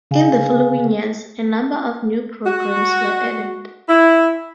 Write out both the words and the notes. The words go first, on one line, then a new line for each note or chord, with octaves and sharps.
In the following years, a number of new programs were added.
C#3 G#4 F5 G#5
F#4
E4